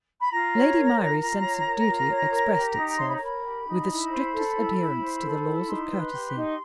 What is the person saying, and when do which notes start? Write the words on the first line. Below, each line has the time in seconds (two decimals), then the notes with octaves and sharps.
Lady Myrie's sense of duty expressed itself, with the strictest adherence to the laws of courtesy.
0.21 B5
0.31 F4 A#5
0.54 C#5
0.76 A#4
0.98 F4
1.21 F4
1.43 C#5
1.66 A#4
1.88 F4
2.10 C#5
2.32 A#4
2.54 G4
2.77 D#4
2.99 C#5 C6
3.07 B5
3.15 A#5
3.22 A#4 B5
3.43 G4
3.67 D#4
3.88 E4
4.11 C5
4.34 A4
4.55 E4
4.77 E4
5.00 C5
5.22 A4
5.45 E4
5.67 D#4 C6
5.89 B4
6.11 G4
6.34 D#4